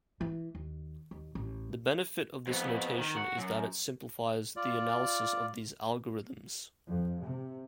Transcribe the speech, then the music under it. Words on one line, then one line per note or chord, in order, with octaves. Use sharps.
The benefit of this notation is that it simplifies the analysis of these algorithms.
E3
D#2
D#2
A1
F2 B3
D#3
F#4
F#2
F4 D5
F2
C3